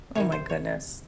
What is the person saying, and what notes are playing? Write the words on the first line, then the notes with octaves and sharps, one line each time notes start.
Oh my goodness.
C3 D#3 G3 C#5
C5
C#5